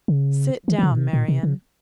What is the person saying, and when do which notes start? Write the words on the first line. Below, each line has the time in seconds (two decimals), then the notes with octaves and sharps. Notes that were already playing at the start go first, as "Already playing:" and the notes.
Sit down, Marian.
0.08 C#3
0.68 D#3
0.78 D#3
0.83 C#3
0.92 A#2
0.98 C3
1.13 A#2
1.28 C3
1.43 C#3